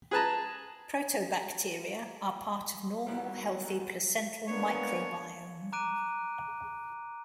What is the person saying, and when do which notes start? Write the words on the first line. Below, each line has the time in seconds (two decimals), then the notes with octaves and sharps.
Protobacteria are part of normal, healthy placental microbiome.
0.11 G#4 B4 A5 A#5
3.07 D#2 F#3 G3 B3 E4
4.48 A#3 B3 D4 C#5
5.73 A#5 D6 F#6 D7 D#7